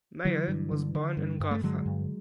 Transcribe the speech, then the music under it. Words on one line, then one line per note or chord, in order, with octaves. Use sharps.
Meyer was born in Gotha.
D3 E3 F#3
G2
D3
D3
G2
G2
A3
D3 F#3 G#3
G2